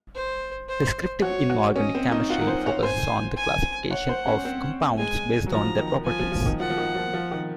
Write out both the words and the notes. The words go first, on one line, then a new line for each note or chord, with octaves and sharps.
Descriptive inorganic chemistry focuses on the classification of compounds based on their properties.
C5
C5
F#4 C#5
F#4
C#4 D#5
C4
D#4
F4 F#5
A#4
C5
C#5
C5 G#5
G#5
C#5 F#5
C5
C#4
C4
G#3 G#5
F#3
F3 A#5
D#3
F3 G#5
F3
F3
D#3
F3 F#5
F3
D#3
F3
F3
D#3